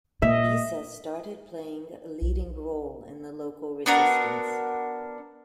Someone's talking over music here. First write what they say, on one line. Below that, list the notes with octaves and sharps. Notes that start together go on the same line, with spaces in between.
Isa started playing a leading role in the local resistance.
A#2 D#5 E5
B1
B3 D4 F#4 A#4